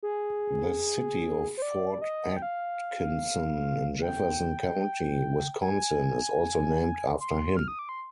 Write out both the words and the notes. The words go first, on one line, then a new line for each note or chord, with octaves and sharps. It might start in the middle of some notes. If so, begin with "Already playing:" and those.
The City of Fort Atkinson in Jefferson County, Wisconsin is also named after him.
G#4
C5
D5
D#5
G5
F5
G5
G#5
C6
F6
D#6
D6
C6